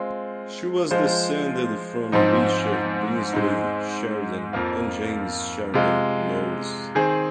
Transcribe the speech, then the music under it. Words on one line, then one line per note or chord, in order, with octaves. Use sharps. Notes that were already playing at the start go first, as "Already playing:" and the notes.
She was descended from Richard Brinsley Sheridan and James Sheridan Knowles.
Already playing: G#3 C4 F4
F3 G#3 F4 C5
G#2 F3 C4 D#4
G#2 G#3 C4 D#4
F2 F3 A#3 F4
C3 G#3 F4
D#3 C4 G#4